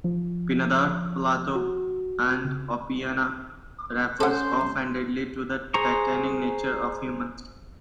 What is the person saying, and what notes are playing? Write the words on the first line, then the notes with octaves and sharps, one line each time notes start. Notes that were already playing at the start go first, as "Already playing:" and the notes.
Pindar, Plato, and Oppian refer offhandedly to the "Titanic nature" of humans.
F3
F#4
C#3
C#4 A4 C5 F#5
G#4 C5 A#5 C#6